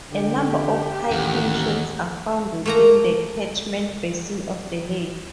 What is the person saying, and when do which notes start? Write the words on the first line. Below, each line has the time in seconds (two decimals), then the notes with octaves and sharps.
A number of hiking trails are found within the catchment basin of the lake.
0.12 D3 G4
1.11 A1 D#2 F#5
2.66 A3 A#3 A#5